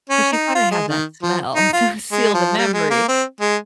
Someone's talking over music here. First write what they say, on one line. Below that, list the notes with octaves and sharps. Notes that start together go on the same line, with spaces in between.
'Cause you gotta have that smell to seal the memory.
C#4
D#4
F4
G#3
D#3
F3
D#4
F4
G#3
F3
G3
G#3
A#3
C4
G#3